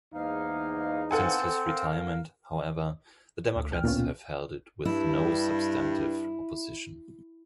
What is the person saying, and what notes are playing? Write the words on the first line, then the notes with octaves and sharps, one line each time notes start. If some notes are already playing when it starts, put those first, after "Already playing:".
Since his retirement, however, the Democrats have held it with no substantive opposition.
E2 G#2 A#3 D#4 F5
B3 C4 A4 C5 F5 F#5 G#5
A#4 F5
D2
B1 G5 F6
D2 A#2 B3 C#4 F4
B2
G2 E4